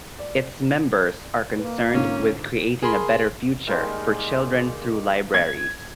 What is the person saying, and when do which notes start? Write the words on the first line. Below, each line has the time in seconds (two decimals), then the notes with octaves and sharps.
Its members are concerned with creating a better future for children through libraries.
0.19 D5
1.58 A#3 B4
1.94 G#2 D3 C#4 F4
2.83 G#4 A#4 B5 C6
3.67 D#3 G3 G#3 A#3
5.34 G#6